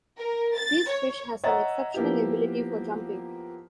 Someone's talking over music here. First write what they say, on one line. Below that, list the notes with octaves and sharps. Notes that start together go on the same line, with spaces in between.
These fish has an exceptional ability for jumping.
A#4
A6
C#5
C#5 D#5 E5 F#5 A#5 A6
F3 A#3 B3 E4 G4